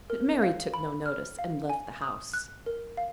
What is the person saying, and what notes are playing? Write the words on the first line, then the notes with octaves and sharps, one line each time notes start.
But Mary took no notice, and left the house.
A#4
F5
B5
F6
F5
G#5
D#6
F#6
A#4
F5